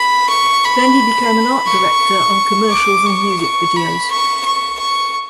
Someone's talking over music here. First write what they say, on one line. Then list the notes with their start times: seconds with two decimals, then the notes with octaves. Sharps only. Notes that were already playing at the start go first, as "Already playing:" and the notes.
Then he became an art director on commercials and music videos.
Already playing: B5
0.29 C#6
0.64 B5
1.67 C#6
2.71 D6
3.06 C#6
3.40 C#6
3.76 B5
4.11 C#6
4.45 C#6
4.79 C#6